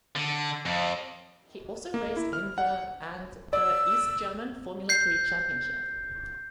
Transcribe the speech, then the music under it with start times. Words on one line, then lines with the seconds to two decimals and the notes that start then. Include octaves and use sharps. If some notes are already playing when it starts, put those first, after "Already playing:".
He also raced in the and the East German Formula Three Championship.
0.15 D3
0.66 F2
1.94 A#3
2.17 E4
2.33 F6
2.58 F#5
3.53 D5 E6
4.89 G6 C7